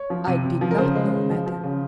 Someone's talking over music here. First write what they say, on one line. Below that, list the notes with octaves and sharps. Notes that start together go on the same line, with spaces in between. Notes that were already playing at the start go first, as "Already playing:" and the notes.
I did not know, madam.
Already playing: C#5
F3
C3
C3
F3
A#4
C#3 C5
G#3
C#3
F3
F3
C#3